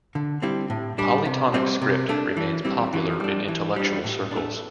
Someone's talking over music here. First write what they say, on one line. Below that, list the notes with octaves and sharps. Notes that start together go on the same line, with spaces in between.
Polytonic script remains popular in intellectual circles.
D3
G3 C4 E4
A2
G3 D4
C3
G3 C4
C3
A3 D4
E3
G3 C4 E4
E3
G3 D4
E3
G3 D4
A2
D4
A3